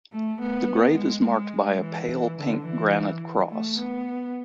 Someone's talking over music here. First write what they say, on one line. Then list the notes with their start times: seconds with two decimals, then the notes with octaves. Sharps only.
The grave is marked by a pale pink granite cross.
0.12 A3
0.41 B3
0.96 G#3
1.25 G#3
1.81 E3
2.38 D3
2.66 E3
3.49 A3
3.78 B3